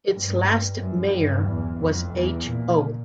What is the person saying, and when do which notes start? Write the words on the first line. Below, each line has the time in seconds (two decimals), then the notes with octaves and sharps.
Its last mayor was H. O.
0.13 G2
0.80 F#2
1.14 G2
1.46 E2
1.80 F2
2.13 E2
2.46 A#2